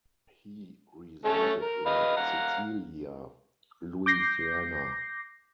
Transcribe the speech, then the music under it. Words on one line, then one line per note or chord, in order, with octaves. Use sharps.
He resided in Cecilia, Louisiana.
A3 C#4 A4
A#4
B4 D#5 F5
F5 F#5 A#5
D6 G6 A#6 C7